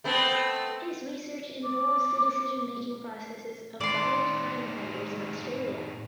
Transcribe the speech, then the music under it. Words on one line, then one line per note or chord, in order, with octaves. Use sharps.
His research involves the decision making processes of violent crime offenders in Australia.
A3 B3 C4
D6
A2 D#3 D5 C6